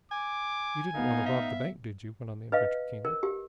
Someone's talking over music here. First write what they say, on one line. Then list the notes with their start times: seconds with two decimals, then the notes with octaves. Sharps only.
"You didn't want to rob the bank, did you?" went on the inventor, keenly.
0.12 G#5 D6
0.95 B3 D#4 F5
1.26 E5
2.52 B4 D#5 F5
3.05 A#4
3.23 G4